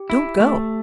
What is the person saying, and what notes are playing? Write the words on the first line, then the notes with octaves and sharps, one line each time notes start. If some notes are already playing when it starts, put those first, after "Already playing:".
Don't go.
Already playing: G4
E4
A3